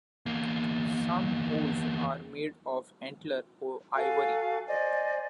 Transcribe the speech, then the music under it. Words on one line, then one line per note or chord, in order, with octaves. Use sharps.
Some hoes are made of antler or ivory.
E2 A#3
F#4 A4 F5 G#5
C5 D5 D#5 G#5